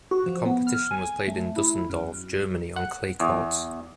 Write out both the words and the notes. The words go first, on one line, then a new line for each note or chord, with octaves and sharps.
The competition was played in Düsseldorf, Germany, on clay courts.
F#4
F3
B3
F6
G#5
A3
E4
F#2
F#2
F#5
E2